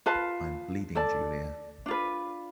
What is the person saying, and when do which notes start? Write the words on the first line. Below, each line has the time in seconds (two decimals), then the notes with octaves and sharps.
I’m bleeding Julia.
0.06 F4 B4 F5 A5
0.95 A4 D5 A5
1.86 D4 F4 B4